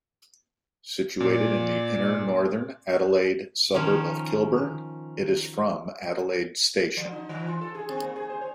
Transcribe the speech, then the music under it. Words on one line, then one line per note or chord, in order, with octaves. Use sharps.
Situated in the inner northern Adelaide suburb of Kilburn, it is from Adelaide station.
A#2 D5
D#3 F3 C#4
F3
D#4
E3
F4
A4
G#4
C4
A#3
G#4
C5
C#5